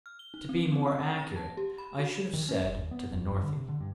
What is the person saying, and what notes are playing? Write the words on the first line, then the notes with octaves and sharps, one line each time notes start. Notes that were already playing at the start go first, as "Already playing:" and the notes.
To be more accurate, I should have said to the northeast.
F6
G7
D#4
C4
C4
E6
F#5
A#6
A5
G4
B5
F#4
D#3
C#4
F#1
D#2
B3
E1
F#2
D3
C3
D3
G2